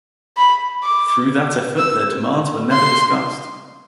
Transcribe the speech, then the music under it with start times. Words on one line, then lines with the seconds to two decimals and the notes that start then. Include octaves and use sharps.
Through that effort their demands were never discussed.
0.37 B5
0.84 D6
1.78 E6
2.72 C6